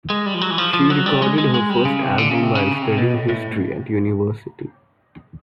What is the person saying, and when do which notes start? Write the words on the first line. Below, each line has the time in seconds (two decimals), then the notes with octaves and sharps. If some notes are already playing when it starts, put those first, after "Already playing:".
She recorded her first album while studying history at university.
0.10 G#3
0.26 G3
0.34 F3
0.41 F#3
0.50 E3
0.58 F3
0.73 F3
0.90 F#3
1.06 G3
1.22 G#3
1.38 G#3
1.54 G#3
1.70 G3
1.85 C#3
2.02 C3
2.18 D3
2.31 C#3
2.43 C3
2.55 C#3
2.75 C#3
2.82 C3
2.98 B2
3.14 A2
3.29 A2